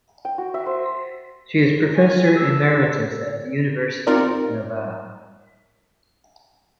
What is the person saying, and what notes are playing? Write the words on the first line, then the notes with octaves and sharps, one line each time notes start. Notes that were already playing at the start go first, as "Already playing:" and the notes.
She is Professor Emeritus at the University of Navarre.
G5
F#4
E5
C5
F4 G4 G#5
D4 E6
C4 D#4 F4 A#4 D5